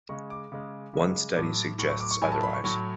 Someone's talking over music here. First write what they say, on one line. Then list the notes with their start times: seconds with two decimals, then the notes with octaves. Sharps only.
One study suggests otherwise.
0.09 C#3 G#3 C#6
0.30 D6
0.52 C#3 G#3
0.94 C#3 G#3
1.36 A2 F#3 D6
1.79 A2 C#6
1.82 F#3
1.90 C#6
2.00 D6
2.11 C#6
2.22 A2 F#3 G#5
2.32 A5
2.43 B5
2.54 C#6
2.64 A2 F#3 C#6